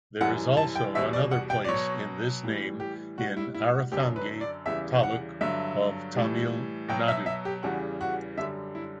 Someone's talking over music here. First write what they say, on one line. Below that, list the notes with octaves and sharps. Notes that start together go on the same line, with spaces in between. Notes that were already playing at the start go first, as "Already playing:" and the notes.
There is also another place in this name in Aranthangi taluk of Tamil Nadu.
F#2 E3 G3 F#5
A5
G5
E2 B2 G3 E5
D5
F#5
G5
D5
F#3 C#5
B2
A2 E3 G3
G4
A2 G3 F#4
E4
E4
F#4
F#2 D3 F#3 G4
B4
D5
E2 C#3 E3 G3 E5
F#5
G2 D3 F#3 E5
A2 E3 G3
B2 F#3 G5
E5
E5
G4
E2 C#3 E3 G3 F#4
F#4
F#2 D3 G3 E5
E4